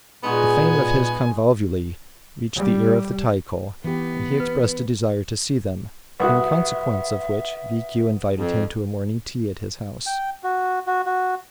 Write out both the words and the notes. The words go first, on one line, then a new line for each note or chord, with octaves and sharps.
The fame of his convulvuli reached the ear of the Taiko, and he expressed a desire to see them, in consequence of which Rikiu invited him to a morning tea at his house.
A#2 G#3 B3 D#4 F#4 G#5
G3
E3 B3 G4
B4
C2 F#4 B4 E5 F#5 D#6
F2
G5
F#4
F#4
F#4